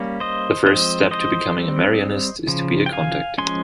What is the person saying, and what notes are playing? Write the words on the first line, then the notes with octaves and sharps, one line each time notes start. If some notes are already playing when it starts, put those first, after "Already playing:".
The first step to becoming a Marianist is to be a Contact.
Already playing: G3 A#3 C#4
C5 D#5
F3 G#3 C4 C5 D#5
C5 D#5
G3 C4
C#3 F3
G5
F5 G#5
F3 G#3 C#4 G#5 C6